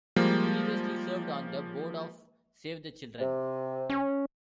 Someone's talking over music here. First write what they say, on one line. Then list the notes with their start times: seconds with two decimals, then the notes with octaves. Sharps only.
He previously served on the board of Save the Children.
0.16 F3 G3 G#3 A#3
3.20 C3
3.90 C#4